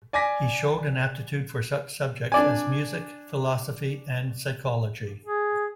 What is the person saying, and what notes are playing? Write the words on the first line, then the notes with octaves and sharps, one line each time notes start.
He showed an aptitude for such subjects as music, philosophy and psychology.
D5 G#5 D6 A#6 B6
D4 D5 G#5
G#4